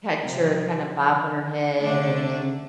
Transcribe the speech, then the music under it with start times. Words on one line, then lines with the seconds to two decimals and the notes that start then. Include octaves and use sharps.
catch her kinda bopping her head and then
0.23 C3 F3 C4
1.79 D3 A3 D4